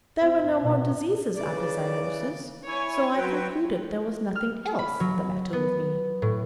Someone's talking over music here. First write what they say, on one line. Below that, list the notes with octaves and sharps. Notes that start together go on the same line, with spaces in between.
There were no more diseases after zymosis, so I concluded there was nothing else the matter with me.
C4
B2
C#3 E3 D5
E4 C#5 G#5
F#3 B4 G5
F6
B5
F#3
B3
A2